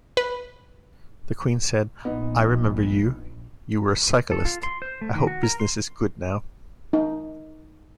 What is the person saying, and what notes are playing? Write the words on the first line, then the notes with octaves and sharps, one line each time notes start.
The Queen said, 'I remember you-you were a cyclist-I hope business is good now'.
B4
A#1 B3 D#4
A4
F4
C6
C5
A3
D#3
F#4
A#4
C6
D#4